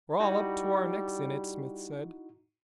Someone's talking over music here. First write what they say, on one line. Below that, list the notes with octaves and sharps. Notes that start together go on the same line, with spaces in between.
"We're all up to our necks in it," Smith said.
G3 D#4 E4 F#4